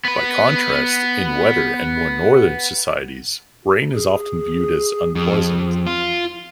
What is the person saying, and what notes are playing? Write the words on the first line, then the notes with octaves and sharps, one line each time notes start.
By contrast in wetter and more northern societies, rain is often viewed as unpleasant.
B3 B4
G#4
F2
F4